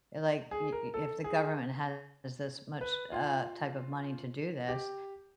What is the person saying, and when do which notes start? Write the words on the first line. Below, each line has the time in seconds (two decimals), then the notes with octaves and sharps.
like y y if the government has this much, uh, type of money to do this,
0.51 G#4
0.72 A#4
0.94 A4
1.24 G#4
2.81 B4
3.12 F4
4.68 G4